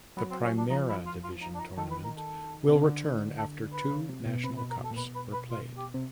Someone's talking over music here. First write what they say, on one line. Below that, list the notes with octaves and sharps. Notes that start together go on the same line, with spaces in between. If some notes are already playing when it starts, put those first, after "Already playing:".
The "Primera Division" tournament will return after two national cups were played.
F#3 B3
C4
C#4
D4
F3 D#4
E4
F4
F4
D#4
D4
D#4
D#3 A4
B4
A#4
A4
C3
C#3
D3
A4
B4
C#3
C3
B2
C3 B4
B4
B2
A#4
B2 A4
A#2
B2 B4
B4
B4
F4
G4
C3